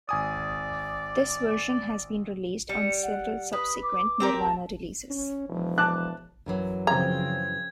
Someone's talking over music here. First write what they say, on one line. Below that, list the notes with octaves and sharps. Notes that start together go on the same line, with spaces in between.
This version has been released on several subsequent Nirvana releases.
G#1 D5 G#5 D#6
G3 C#7
F#5
B4 D#6
D6
C4 G4 A#4
A5
C#4
E1 F3
A5 D6 F#6
F#2 E3 F#3
C#3 F3 C4 A#5 G#6